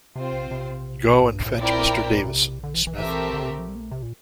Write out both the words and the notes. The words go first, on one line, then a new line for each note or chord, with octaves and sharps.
Go and fetch Mr. Davison, Smith.
C3 C4 F4 C5
C3
A2
G2
A2
A#2 C4 E4 A#4 D5 G5
A#2
C3
D3
E3
E3
E3 A3 C4 G4 A#4 E5
D3
C3
D3
F3
G3
A#3
A3
C3
A#2